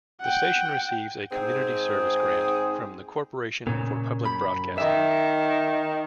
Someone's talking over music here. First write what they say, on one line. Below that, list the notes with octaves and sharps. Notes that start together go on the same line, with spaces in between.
The station receives a Community Service Grant from the Corporation For Public Broadcasting.
F#5 G5
G#2 C4 G#4
A#2 C#3
F#2 B5
D#3 E5